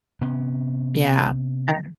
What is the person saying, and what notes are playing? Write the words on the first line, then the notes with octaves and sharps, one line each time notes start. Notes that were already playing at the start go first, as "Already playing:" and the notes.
Yeah. I
C3 B3 C#4